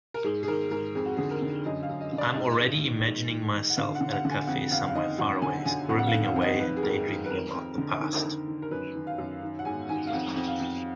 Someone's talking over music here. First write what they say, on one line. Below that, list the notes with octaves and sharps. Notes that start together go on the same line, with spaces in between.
I am already imagining myself at a cafe somewhere far away, scribbling away and daydreaming about the past.
A#4
G#2 G#4
G#4
D#3 A#4
G#2 A#4
F2 G#4
F#4
D3 G#4
A#4
D3
F#2 D#5
F5
F#2
D#5
D3
D5
G#2 D#5
G#2
D#3
G#2
D#3
D#3
F#5
D3 F5
F#5
D3
F#5
D3
G#5
F2 F#5
F2 F5
F5
D#3 D#5
F#2 F#5
D3 G#5
D3 G#5
F2 F#5
F#5
F5
D#3
F5
F2
D#5
D#3 B4
G#4
G#2 A#4
D#3 G#4
B4
F2 A#4
F2
D3
D#3
D#3
D#3
A#4
F#2 B4
D#3
F5
F#2
D#3
F#5
G#2 G#5
D#3 G#5
F5
F2 F#5
F2
F5
F2